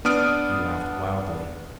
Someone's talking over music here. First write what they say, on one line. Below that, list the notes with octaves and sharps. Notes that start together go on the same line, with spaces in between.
He laughed wildly.
B3 D4 D#6 F6 D7